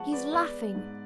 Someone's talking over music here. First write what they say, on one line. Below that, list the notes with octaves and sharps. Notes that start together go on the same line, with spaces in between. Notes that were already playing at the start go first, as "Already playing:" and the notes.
"He's laughing."
Already playing: F3 G#3 B3 F#5 A5 C#6
B4 D5
B3 B4 D5
G#2